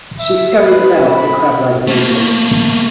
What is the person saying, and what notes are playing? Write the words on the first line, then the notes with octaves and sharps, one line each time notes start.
She scurries about with a crab-like movement.
E5
B4
B5
A3 A#3